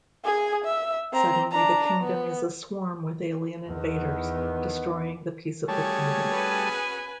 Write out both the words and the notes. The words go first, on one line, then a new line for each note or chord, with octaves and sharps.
Suddenly the Kingdom is aswarm with alien invaders, destroying the peace of the kingdom.
G#4 G#5
E5
C4 A#5
D4 A#5
B3
E2 D#3 B3
G3 A3 C#4 F#4 G#4 C#5 A5
B4 G#5